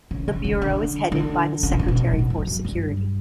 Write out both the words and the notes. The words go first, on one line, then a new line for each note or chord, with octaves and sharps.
The bureau is headed by the Secretary for Security.
C#3
C#3
C#3
D3
D3
C#3
B2
A2
B2
A2
F#2
F#2
G2